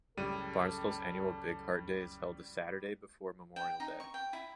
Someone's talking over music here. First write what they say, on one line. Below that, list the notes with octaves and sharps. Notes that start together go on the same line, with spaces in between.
Barnsdall's annual Bigheart Day is held The Saturday before Memorial Day.
C#2 F#2 A2 C#3 G3 A4 D#7
G5
D#4
C#6
G5
E4